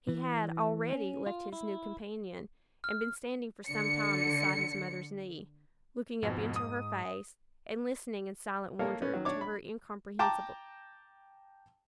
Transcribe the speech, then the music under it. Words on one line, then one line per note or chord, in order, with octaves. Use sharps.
He had already left his new companion, and been standing for some time beside his mother's knee, looking up into her face, and listening in silent wonder to her incomprehensible discourse.
E3
C#4
F4
E4
F6
D3 C#7
F2 G#2 B2
D#6
A#3 A4 A#4 C#5 F5
C#4 B4
D#3 F#3
D4 C#5 D6
B5
G5 A5 A#5 D6